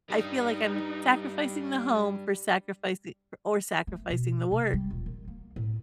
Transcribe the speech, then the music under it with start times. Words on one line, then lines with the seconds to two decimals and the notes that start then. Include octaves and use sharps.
I feel like I'm sacrificing the home for sacrifici or sacrificing the work,
0.10 G3 D4 D#4
3.87 A3
4.10 B2
4.52 C3
4.74 G3
4.90 D#1
5.06 D#3
5.28 A#3
5.56 A2